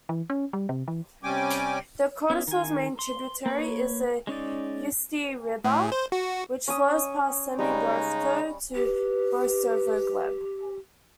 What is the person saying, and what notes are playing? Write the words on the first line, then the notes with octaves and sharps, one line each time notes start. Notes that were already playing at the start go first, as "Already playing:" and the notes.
The Kotorosl's main tributary is the Ustye River, which flows past Semibratovo to Borisogleb.
E3
C#4
G3
C3
E3
C3 G3 C#4 G5 G#5 D6
B3 C#4 E4
D#3 G#5
C6
A#3 B4 C#5
G#3 C#4 D#4 D5
A2
C5
F#4
C#4 C#5 D#6
C#3 G3 G#3 D#4 B5 C#6
G4 B4